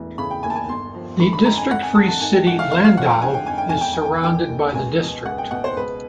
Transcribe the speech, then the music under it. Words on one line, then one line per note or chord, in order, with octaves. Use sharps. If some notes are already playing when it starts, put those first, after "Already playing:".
The district-free city Landau is surrounded by the district.
Already playing: E1 A2 E3
C#3 B5
G5
D#2 G#5
A5
G#5
G1 C6
F3
D3 B5
B5
F2 A#5
G#5
G#1 F#5
G#5
G#1 A5
A5
D#3 G#5
G5
G#2 F#5
F5
F1 F5
F5
F3 F#5
G5
D3 G#5
G5
F2 G#5
G5
E1 G#5
G5
G#5
E1
G5
D#3 G5
D#2
C#2 G#5
B2
C#2 F#5
G5
B2 F#5
C5
C#2 B4